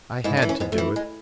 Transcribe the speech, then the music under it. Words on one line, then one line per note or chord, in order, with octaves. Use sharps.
I had to do it.
G#2 E4
D4
E3
C#4
G#2 B3
A3
E3
G#3